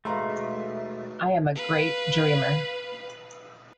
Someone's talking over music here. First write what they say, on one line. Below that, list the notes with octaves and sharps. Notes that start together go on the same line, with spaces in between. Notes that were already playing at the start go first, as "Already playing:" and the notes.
I am a great dreamer.
D#2 B2 G#3 A3 E5 F5 A#5 C6
B4 F5